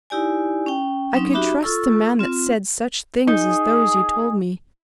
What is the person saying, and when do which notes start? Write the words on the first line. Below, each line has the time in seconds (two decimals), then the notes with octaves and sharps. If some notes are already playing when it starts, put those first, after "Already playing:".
I could trust the man that said such things as those you told me.
0.10 D#4 E4 G4 D5 G#5
0.66 C#4 G5
1.13 F#3 C4 C#4 D#4
1.33 D#4 F#4 G4 E5 B5 D6
1.63 F4 A4 C#6 E6
2.19 C4 F4
3.27 D#4 G#4